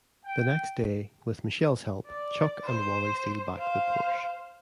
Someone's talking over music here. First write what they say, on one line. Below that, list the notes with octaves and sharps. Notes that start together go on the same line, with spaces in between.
The next day, with Michelle's help, Chuck and Wally steal back the Porsche.
G5
D5
C5
C5 F5